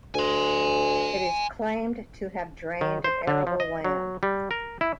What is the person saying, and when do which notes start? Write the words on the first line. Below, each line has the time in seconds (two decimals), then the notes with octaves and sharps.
It is claimed to have drained of arable land.
0.14 D2 G#5 C6
2.81 D#3
3.04 C5
3.27 D3
3.47 F3
3.60 D#5
3.85 F#3
4.23 G3
4.51 A#4
4.81 E4